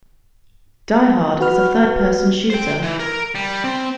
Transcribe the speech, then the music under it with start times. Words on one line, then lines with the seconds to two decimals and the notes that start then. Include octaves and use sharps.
"Die Hard" is a third-person shooter.
1.41 F#4 B4 F6
2.50 C5 G5
2.83 E3
2.99 A#4
3.35 G3
3.64 C4